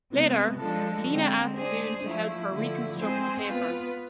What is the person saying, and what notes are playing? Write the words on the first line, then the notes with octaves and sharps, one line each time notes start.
Later, Lina asks Doon to help her reconstruct the paper.
C3 G#3 B3
F3 G#3 D4 A4
D3 G#3 C4
G#3 D4 G#4 C5
F3 A3 E4
D3 F3 A3 E4
G#3 C4 G#4 C5
B3 F4 B4